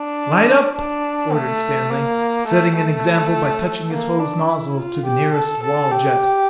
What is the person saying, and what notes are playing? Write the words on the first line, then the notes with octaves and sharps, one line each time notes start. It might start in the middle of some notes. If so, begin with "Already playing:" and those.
"Light up!" ordered Stanley, setting an example by touching his hose nozzle to the nearest wall jet.
Already playing: D4
D4
A3
A#3
A3
A3
A#3
D4
E4
F4
G4
A4
A4
G4